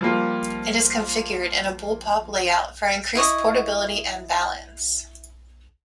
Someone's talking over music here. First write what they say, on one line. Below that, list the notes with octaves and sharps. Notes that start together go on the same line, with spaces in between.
It is configured in a bullpup layout for increased portability and balance.
F3 G3 A#3 F4
E4 D#5 C#6 D#6